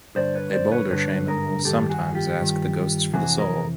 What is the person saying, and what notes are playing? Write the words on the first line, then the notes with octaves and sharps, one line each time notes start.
A bolder shaman will sometimes ask the ghosts for the soul.
G2 D3 C5 D5
B4 C#5
C5 D5
B4 C#5
G2 D3 B4 C#5
G#4 A#4
G2 D#3 G4 A4
F#4 G#4
F4 G4
G2 D#3
F2 C3 E3 F#4 G#4
G#4 A#4